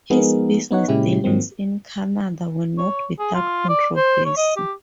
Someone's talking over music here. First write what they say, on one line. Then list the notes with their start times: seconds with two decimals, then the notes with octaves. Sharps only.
His business dealings in Canada were not without controversy.
0.10 F3 G#3 B3 D#4 G#4 A#4
0.71 B3 D#4 C#5 F#5
0.88 A#2 C#3 G#3 C#4 E4 G4
1.24 G#2 D#3 F3 F#3 A#3 C4
2.78 C#5
3.19 G#4
3.35 F4
3.69 D5
3.96 C5
4.26 C#5
4.37 D#5
4.56 G4